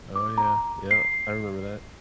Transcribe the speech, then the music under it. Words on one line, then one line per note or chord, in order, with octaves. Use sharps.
Oh, yeah, yep, I remember that.
D6
A#5
C7